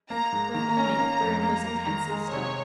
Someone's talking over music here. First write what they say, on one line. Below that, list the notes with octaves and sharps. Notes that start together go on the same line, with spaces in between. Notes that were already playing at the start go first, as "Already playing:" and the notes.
For a moment the room was intensely still.
A#3 A#5
G#2
D#3 A#5
C#4
A#3
F2
A#3 A#5
A#3
D#3
G#3
C3 C#5